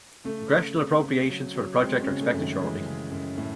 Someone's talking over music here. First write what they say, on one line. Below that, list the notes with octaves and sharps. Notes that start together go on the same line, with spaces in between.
Congressional appropriations for the project are expected shortly.
C#3 A3
C#3
C4
C#3
F#3
F#3
G#3 C4
C#4
C#3
A3
F#2
D#3
E3 G#3
C#3
F#2
A2